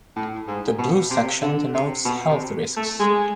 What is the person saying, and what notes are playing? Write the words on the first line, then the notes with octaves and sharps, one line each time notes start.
The blue section denotes health risks.
A2
G#2
B2
C3
D3
C3
B2
C3
A3
G#3